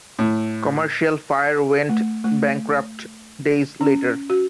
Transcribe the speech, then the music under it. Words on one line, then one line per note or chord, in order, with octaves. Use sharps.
Commercial Fire went bankrupt days later.
A2
A3
A3
C#4
F#4